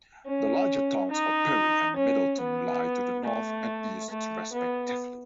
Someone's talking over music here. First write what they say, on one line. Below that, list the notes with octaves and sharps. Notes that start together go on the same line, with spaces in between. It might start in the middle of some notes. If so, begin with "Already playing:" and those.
The larger towns of Bury and Middleton lie to the north and east respectively.
C#4
D#4
C#4
B3
A3
A3
B3